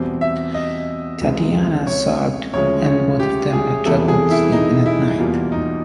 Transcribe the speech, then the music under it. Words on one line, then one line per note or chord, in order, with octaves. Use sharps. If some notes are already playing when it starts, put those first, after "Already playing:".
Tatiana sobbed and both of them had trouble sleeping that night.
Already playing: E2 B2 G3 C4
E5
D#5
C#2 C3 E3 G#3 C4
C#5
D2 C#3 F3 G#3 C#5
C#5
G4
G#4
E2 C3 E3 G3 B3 A4
G#4
E4
D#4
E4
E2 B2 G3 A#3 F4
D#4